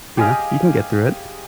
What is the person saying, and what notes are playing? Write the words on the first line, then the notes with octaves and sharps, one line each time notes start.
you know, "You can get through it,"
G4 G#4 D#5 F5